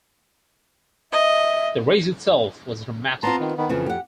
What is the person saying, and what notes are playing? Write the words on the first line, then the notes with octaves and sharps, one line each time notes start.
The race itself was dramatic.
D#5 E5
B3 C4 F4 A5 A#5 C6
D#3
D#3 B3
F2 C#3 E3 F3
G4 F#5